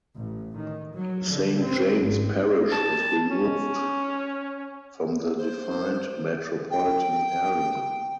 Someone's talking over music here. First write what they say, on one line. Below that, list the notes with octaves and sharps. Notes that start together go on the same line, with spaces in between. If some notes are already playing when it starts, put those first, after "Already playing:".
Saint James Parish was removed from the defined metropolitan area.
A1
D#3
F#3
D3
C4
G#1
A5
C#4
C5
G5